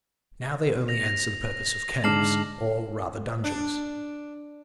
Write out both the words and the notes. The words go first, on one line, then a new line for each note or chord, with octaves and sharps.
Now they only answer the purpose of caves, or rather dungeons.
A#6 F7
G#2 D3 A5 D6 F6 C7 F#7
D4